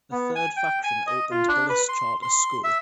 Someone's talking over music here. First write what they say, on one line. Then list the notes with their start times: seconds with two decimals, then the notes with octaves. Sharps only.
A third faction opened Bullis Charter School.
0.12 B3
0.35 G#5
0.56 G5
0.84 G#5
1.07 D#5
1.31 F4
1.48 D4
1.69 B4
1.89 C6
2.22 C6
2.64 E5